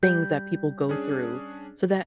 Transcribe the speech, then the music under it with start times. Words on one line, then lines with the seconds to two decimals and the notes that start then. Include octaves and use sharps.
things that people go through so that
0.03 G3 G6
0.89 C#4 D4 G#4